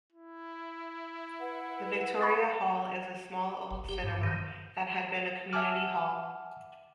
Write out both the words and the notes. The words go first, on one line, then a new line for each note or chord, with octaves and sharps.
The Victoria Hall is a small old cinema, that had been a community hall.
E4
B4 F#5
B5 C#6 A6
G1
G4
G2
D#3
E5 F#5 G#5 A5 D6 F6